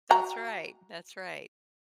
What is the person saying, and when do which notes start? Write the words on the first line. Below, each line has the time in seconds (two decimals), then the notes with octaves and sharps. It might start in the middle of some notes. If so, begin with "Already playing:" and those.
That's right, that's right.
0.11 F#4 A#5